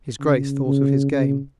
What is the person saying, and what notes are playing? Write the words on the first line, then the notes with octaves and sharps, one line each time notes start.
His Grace thought of his game.
C#3
C#3
C#3